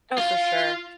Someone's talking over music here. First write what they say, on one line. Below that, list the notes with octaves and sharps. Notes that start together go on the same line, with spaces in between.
Oh, for sure,
F4 F5